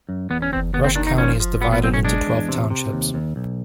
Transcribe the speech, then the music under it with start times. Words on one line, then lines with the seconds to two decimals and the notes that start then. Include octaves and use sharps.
Rush County is divided into twelve townships.
0.09 F#2
0.30 E2 B3
0.42 C#4
0.52 E2 C4
0.73 D#2 B3
0.84 C4
0.96 D#3 D4
1.07 D#4
1.17 F3 C#4
1.40 F3
1.61 B2 B3
1.73 B3
1.83 B1 C4
1.94 C#4
2.05 G#3 D4
2.27 E2
2.49 C3
2.70 C3
2.92 D#2
3.14 D#2
3.36 B1